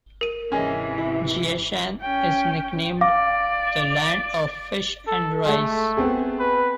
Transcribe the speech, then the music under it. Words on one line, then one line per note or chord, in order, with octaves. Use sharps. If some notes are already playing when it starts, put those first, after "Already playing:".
Jiashan is nicknamed "The Land of Fish and Rice".
A#4 D#7
G#2 C3 E3 C#4 G#4 D#5
E4
C#4 G5
D5 F5 D6
A4
G#3 A3
B3 C4 G#4
B4